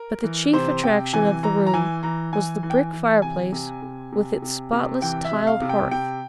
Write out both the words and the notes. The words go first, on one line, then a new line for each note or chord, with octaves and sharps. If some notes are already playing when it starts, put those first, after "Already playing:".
But the chief attraction of the room was the brick fireplace with its spotless tiled hearth.
Already playing: A#4
E3
C3 C5
C3 G5
E3 G#5
E3 A#5
A#5
E3 G#5
E3 A#5
E3 G#5
E3
G5
G#5
E3
C3 G#5
C3
C3
C3
C3
C3
E3 G5
E5
C3
F5
C3
G5
C3 G5